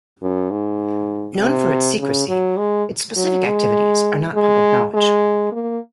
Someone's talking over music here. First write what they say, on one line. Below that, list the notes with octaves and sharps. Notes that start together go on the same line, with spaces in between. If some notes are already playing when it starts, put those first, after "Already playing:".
Known for its secrecy, its specific activities are not public knowledge.
F#2
G#2
C3
C#3
F#3
G#3
F#3
G#3
G#3
G#3
A#3